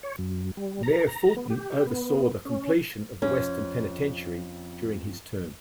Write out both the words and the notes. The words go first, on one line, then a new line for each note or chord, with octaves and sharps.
Mayor Fulton oversaw the completion of the Western Penitentiary during his term.
C#5
F#2
G3
A#5
A#5
B3
G4
B3
C#4
F2 C#4